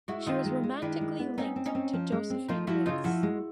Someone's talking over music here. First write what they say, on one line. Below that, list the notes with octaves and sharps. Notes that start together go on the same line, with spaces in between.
She was romantically linked to Josephine Wiggs.
G#3 E4 F#4
D#3 D#4 F4
G#3
G#3
D#3 D4 E4
G#3
B3
C4 C#4 D#4
C4
C#4 D#4
C4
F3
G#3
C4
F3 D#4 F4
F3 E4 F#4
C#3 D#4 F4
F3 E4 F#4
G#3